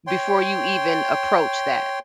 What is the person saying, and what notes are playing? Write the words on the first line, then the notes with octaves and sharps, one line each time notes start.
before you even approach that.
C#5 G5 C6